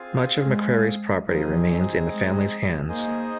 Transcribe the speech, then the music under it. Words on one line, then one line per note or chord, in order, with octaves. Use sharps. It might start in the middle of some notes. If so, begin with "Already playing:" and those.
Much of McCrary's property remains in the family's hands.
Already playing: C4 F4 G#4 F5 G#5
G#3
F3 C4 D#4 G#4 D#5 G#5
G#3
A#3 D#4 G#4 C5 D#5 G#5